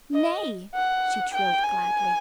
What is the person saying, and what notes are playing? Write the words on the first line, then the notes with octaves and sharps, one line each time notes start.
"Nay!" she trilled gladly.
D#5
F#5
G5
G#5